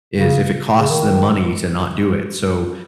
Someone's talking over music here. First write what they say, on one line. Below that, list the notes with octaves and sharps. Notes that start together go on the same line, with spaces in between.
is if it costs them money to not do it, so,
C#3
C#3
D#3